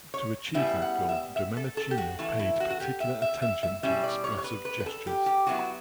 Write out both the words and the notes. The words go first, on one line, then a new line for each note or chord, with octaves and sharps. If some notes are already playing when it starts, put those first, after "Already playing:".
To achieve that goal, Domenichino paid particular attention to expressive gestures.
C#5
C#3 G3 B3 E4 E5
F#5
E5
E5
A4
A4
G4
F#4
E3 A3 E4
E4
F#4
F#4
G4
E5
E5
E5
E5
B2 G3 C#4 E4 E5
D5
C#5
C#5
B4
B4
B4
A4
G4
G4
F#3 B3 E4 F#4